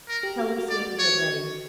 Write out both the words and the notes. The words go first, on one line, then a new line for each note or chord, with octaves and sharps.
Tell Lucile to get ready.
A#4
G4
F#4
F#4
D5
F#4
C#5